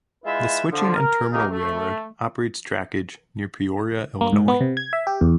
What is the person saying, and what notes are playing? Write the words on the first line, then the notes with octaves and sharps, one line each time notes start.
The switching and terminal railroad operates trackage near Peoria, Illinois.
G#3 E4 F4 B4 E5
D3 F3
A#4
C3 A#3 D#4 G#4 A#4
A3
A#3
G#2
B3
C3
G#6
E5
G4
E2